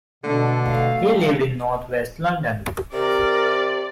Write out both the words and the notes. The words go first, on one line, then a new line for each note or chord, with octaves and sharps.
He lived in northwest London.
B2 D3 A3 D4
A3 F5
G3
C3 A#4 D5